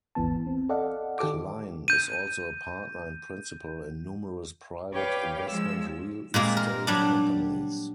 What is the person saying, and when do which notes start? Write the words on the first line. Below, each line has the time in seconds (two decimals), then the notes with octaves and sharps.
Klein is also a partner and principal in numerous private investment real estate companies.
0.15 G#1 D#2 E3 B3 A5
0.47 C4
0.69 A4 D5 D#5 F5 F#5
1.19 D#3 G4 A4 D6
1.88 G6 D#7
4.93 G4 B4 C#5 D5 F5 G5
5.48 F3 G#3 E6
6.34 A#2 G#3 A#3 C4
6.57 A#4
6.87 F#3 G3 D4